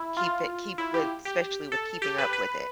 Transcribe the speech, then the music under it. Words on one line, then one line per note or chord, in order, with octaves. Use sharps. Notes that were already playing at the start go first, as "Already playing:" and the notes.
keep it keep with especially with keeping up with it.
Already playing: E4
F4
E4
G4
G4
A4
G4
B4
B4